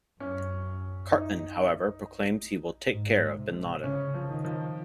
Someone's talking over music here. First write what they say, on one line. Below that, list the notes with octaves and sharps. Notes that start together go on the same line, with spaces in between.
Cartman, however, proclaims he will "take care" of Bin Laden.
F#2 C#4
D#4
G#2
C3
C#3 C#4
F3
D#3
F3